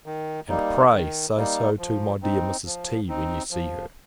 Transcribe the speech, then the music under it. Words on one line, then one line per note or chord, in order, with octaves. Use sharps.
And, pray, say so to my dear Mrs. T. when you see her.
D#3
G3 A#3 D#4
D#3
G3 A#3 D#4
F3
C4 D#4
F3
C4 D#4
F3